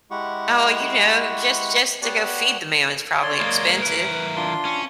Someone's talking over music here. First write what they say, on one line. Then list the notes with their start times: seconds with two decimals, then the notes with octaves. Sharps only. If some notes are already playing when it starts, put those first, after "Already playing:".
oh, you know, just just to go feed the man is probably expensive.
0.11 G#3 E4 G4 F#5 C#6
2.02 B3 G4 C#5 D5 F#5 A5
3.23 C#5 D5 C6
3.41 G#3 A#3
3.82 E3 A#4 B4
4.36 D4 F4 C6
4.65 C#4